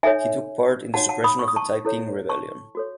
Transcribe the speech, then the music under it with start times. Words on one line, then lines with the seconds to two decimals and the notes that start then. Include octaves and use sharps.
He took part in the suppression of the Taiping Rebellion.
0.03 D#4 A4 C#5 E5 G#5
0.94 D#4 F#4 C#5 F#5 A5
1.09 F#5 A5
1.24 B5 D#6
1.39 C#6
1.48 D#6
1.56 A5 C#6
1.85 E4 A4 C#5
2.29 A5 C#6
2.75 F#4 A4 C#5